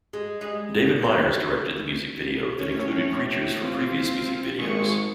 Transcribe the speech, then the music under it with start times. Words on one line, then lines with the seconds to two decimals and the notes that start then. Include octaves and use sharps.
David Meyers directed the music video, that included creatures from previous music videos.
0.13 G#3
0.41 G3 G#3 G#4
1.02 F#3 C4
2.60 A2 C#4
3.62 C4 F4
4.59 G#1 G#3 C#6